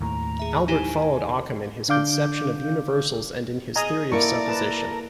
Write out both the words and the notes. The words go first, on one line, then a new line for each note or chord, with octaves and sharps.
Albert followed Ockham in his conception of universals and in his theory of supposition.
D#2 A2 A#5
G#4 E5
D#4 E4 G4 G#5
D3 D4 F5 D6 G6
G#4 D#5 G#5 A#5
A#3 E4 A4 A#4 D5 A#5 C#6
B4 A5